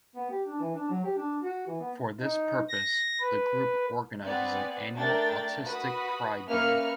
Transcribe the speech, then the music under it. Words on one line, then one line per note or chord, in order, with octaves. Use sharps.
For this purpose, the group organizes an annual Autistic Pride Day.
B3
G4
D4
E3
D4
F#3
G4
D4
F#4
E3
B3
D#4
A#6
B4
B3 C4 B4 D5 F#5 G#5
A3 D4 A#4 D5 G5 A6
F#4 B4 B5 D#6
A#3 C#4 B4 E5 F6 C#7